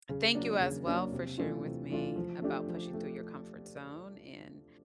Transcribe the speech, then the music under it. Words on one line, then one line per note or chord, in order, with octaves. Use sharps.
And thank you as well for sharing with me about pushing through your comfort zone and
C#3
F#3 A#3 D4
C#3
F#3 A#3 D4
C3
E3 A3 D4 F4
C3
E3 A3 D4 F4
F3
A3 D4 G4
F3
A3